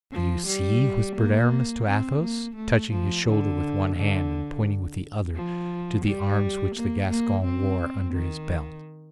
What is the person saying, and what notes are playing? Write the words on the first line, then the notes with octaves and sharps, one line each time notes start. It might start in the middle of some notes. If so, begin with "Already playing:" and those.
"Do you see?" whispered Aramis to Athos, touching his shoulder with one hand and pointing with the other to the arms which the Gascon wore under his belt.
F3
G3
A#3
C4
A#3
A3
F3
D3
D3
F3
G3
A#3
A#3
C4
D#3